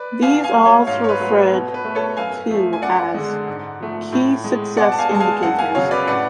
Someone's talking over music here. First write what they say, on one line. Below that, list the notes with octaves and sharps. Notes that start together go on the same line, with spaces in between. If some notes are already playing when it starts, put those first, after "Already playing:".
These are also referred to as "key success indicators".
Already playing: B4 D5
B2 F5 G#5
F5 G#5
F#3 A3
C#5 F5
G#2 C#5 F5
C#5
B4
F#3 A3
B2
B4
A3
A4 C#5
F#2 F5 G#5
F3 A3
G#5
F#2 D5 F#5
D3 G#3
G#2
F3 A3
A2
G#3
B2 D5 F#5
A5
F5 G#5
G#3 A5
F5 G#5
F#2 F#5 A5
F5 G#5
C#3 F#3 C#5 F5
B4 D5
A2 D5 F#5